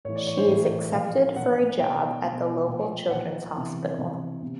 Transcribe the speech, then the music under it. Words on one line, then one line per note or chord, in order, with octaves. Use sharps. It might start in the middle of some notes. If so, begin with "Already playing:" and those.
She is accepted for a job at the local children's hospital.
A2 E3 C#5
D5
C#5
C5
A2 E3 C5
A#2 F3 F5
A#2 F3 F#5
B2 G5
B2
A#2 F3
A#2 F3 F#5
C3 E3
C3 E3
C3